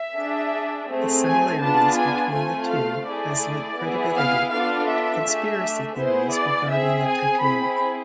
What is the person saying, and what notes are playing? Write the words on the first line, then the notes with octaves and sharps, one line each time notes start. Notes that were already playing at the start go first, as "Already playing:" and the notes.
The similarities between the two has lent credibility to conspiracy theories regarding the Titanic.
Already playing: E5
D4 G#4
A3 C4 G#4
G#5
B3 D4 F4 G#4 A5
G#5
A3 C4 F4 A4 G#5
F5
A3 E4 G#4 D5
B3 E4 G#4
F5
B3 D4 F4 A4 F5
E5
A3 D4 G#4
B3 E4 G#4 C5
D5
C4 G#4 E5
G#5
C4 E4 G#4 B5